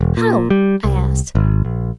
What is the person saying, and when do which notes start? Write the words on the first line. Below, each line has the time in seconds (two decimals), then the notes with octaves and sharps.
"How?" I asked.
0.01 E1
0.17 A#2
0.50 G3
0.84 C2
1.35 G#1
1.65 A#1